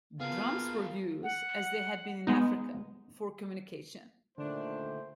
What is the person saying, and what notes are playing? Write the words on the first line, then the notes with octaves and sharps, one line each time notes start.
Drums were used as they had been in Africa, for communication.
B3 F4 G#4 A#4 F5
F#5
G#3 B3 D#4
A#2 D3 D#3 A3 D4 C5